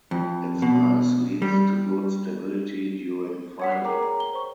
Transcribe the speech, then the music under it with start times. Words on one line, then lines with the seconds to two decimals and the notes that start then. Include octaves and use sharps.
Its mass leads to good stability during firing.
0.11 F2
0.62 B2
1.42 G3
3.60 C#5 F#5 B6
3.72 C7
3.85 G#4 A#4 C#5 G5 A#5 D6
4.03 A#5
4.20 G7
4.33 C5 C#6